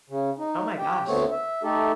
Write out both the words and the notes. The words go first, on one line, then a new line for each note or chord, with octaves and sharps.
Oh, my gosh.
C#3
D#4
G4 G5
D2 D3 A3 B3 C4 C#5
E5
A3 D#4 G4 A4